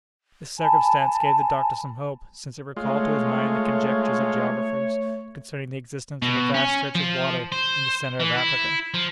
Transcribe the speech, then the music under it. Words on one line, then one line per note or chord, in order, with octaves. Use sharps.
This circumstance gave the doctor some hope, since it recalled to his mind the conjectures of geographers concerning the existence of a vast stretch of water in the centre of Africa.
G#5 A5 B5
G#3 A3 F4 C#5
B2
C#4
F3
C5
E3
E4
F3